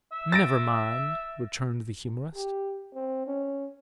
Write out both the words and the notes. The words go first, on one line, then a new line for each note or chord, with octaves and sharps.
"Never mind," returned the humorist.
E5
A6 A#6 D7
G4
C4
C#4